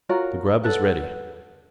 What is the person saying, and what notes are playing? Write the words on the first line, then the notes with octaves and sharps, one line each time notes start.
The grub is ready.
F4 F#4 A#4 C#5
A4 B4 F#5